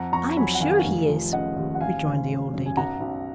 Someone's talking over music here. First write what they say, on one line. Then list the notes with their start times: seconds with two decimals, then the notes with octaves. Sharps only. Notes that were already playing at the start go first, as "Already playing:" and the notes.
'I'm sure he is,' rejoined the old lady.
Already playing: F2 F#5 A#5
0.12 F2 A#5 C#6
0.37 F#3 G#5 B5
0.55 F#5
0.60 D#3 F5 G#5
0.85 F1
1.08 F3
1.32 C#3 D#5 F#5
1.56 D#2
1.75 F#5
1.80 G#1 F5 G#5
2.05 G#1
2.28 C#3
2.53 F#2
2.66 G#5
2.77 B1 F#5 A#5
3.00 B1